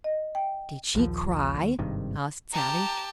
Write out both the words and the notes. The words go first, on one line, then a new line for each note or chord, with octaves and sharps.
"Did she cry?" asked Sallie.
D#5
G5
A#1 D#2 F3
D#2
G#1 G2 C3 D#3
G4 A5 A#5